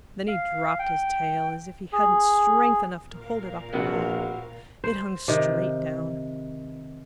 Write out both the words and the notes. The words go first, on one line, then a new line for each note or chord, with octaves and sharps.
Then he dropped his tail as if he hadn't strength enough to hold it up at all. It hung straight down.
F5
G5
G#4
A#2 A#4 F5
A#1 C3 B3 F#4
C5
C3 D#3